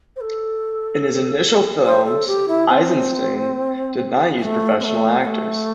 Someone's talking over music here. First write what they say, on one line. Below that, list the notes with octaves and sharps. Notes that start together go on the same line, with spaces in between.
In his initial films, Eisenstein did not use professional actors.
C5
A4
C5
A4
G4
E4
C4
C4
A3
C4
A3
C4
A3